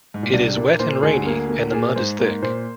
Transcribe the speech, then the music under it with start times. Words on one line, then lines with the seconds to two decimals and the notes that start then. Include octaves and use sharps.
It is wet and rainy, and the mud is thick.
0.14 G#2
0.23 A#2
0.33 C2 C3 D4
0.56 A#2 A#3
0.79 A#2 C5
1.03 D2 D3 G#4
1.26 A#3
1.49 A#3
1.72 A#2 G#4
1.96 G#2 C5
2.19 G#2 A#3
2.42 A#2 C5